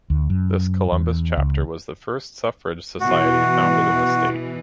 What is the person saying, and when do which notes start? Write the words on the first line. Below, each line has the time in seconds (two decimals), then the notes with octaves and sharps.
This Columbus chapter was the first suffrage society founded in the state.
0.10 D2
0.30 F#2
0.92 E2
1.37 C#2
3.00 B2 E3 F#4